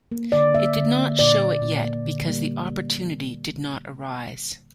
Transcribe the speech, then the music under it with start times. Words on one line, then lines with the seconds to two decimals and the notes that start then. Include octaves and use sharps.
It did not show it yet, because the opportunity did not arise.
0.12 A#3
0.32 D3 D5
0.54 A#3 E5
0.76 D3
0.98 A#3
1.19 A#2 D5
1.41 A#3
1.62 A#2
1.84 A#3
2.06 D3
2.28 G3 A#3